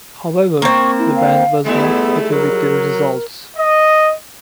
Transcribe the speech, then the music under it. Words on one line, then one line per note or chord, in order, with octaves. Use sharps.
However, the band was not happy with the results.
A#3 C4 C#6
E4
F5
G#2 G3 A3 B3 E4
F#3 A#4
D#5